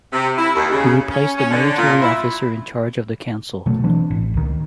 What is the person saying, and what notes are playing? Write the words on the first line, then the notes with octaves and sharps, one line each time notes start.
He replaced the military officer in charge of the council.
C3
E4
D#2
C#3
C#4
C#4
D3
A#2
E4
B2 D#3 F#3 A3
E3 C4 D4
A1
C#2 D#3